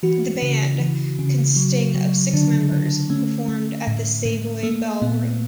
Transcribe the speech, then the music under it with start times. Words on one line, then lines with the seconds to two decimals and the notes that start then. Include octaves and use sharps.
The band, consisting of six members, performed at the Savoy Ballroom.
0.03 E3 F#4
0.42 C#3
0.80 E3
1.19 C#3
1.56 F#3
1.95 F#3
2.33 D3 D4
2.72 D3
3.10 A3 C#4
3.48 A3
3.87 A2
4.25 A2
4.63 A3 A#3
5.02 A#2 B3